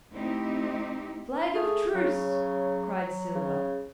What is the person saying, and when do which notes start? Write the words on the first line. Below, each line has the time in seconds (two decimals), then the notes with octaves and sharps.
"Flag of truce," cried Silver.
0.15 A3 C4 D#4 E4 G4
1.55 A3 G#4
1.95 C#3 F#3
3.35 C#3